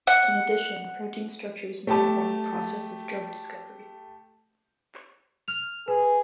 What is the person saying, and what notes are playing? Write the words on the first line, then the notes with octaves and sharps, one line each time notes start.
In addition, protein structures may inform the process of drug discovery.
F#5
A3 G4 A5
F6 F7
G#4 B4